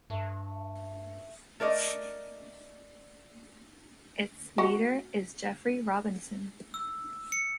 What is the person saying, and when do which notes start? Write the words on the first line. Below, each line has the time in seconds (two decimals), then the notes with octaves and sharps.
Its leader is Jeffery Robinson.
0.10 G2 A3
1.60 A3 A#4 D5 D#5
4.58 F#4 F#5
6.74 E6
7.32 C#7